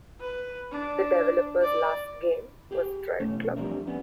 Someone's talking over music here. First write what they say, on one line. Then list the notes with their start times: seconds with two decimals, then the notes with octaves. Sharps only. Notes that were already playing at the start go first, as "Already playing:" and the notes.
The developer's last game was "Driveclub".
0.21 B4
0.71 D4
1.62 D5
2.71 G4 G#4 G5
3.19 B1 A3 C#4
3.56 F3 G3 C4 D4 A#4 E5
3.87 G3 B3 C#4 G4